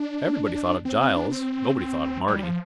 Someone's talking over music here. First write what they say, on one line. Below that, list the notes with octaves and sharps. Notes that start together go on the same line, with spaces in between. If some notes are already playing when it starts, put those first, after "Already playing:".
Everybody thought of Giles; nobody thought of Marty.
Already playing: D4
C4
C4
D4
C4
G3
F3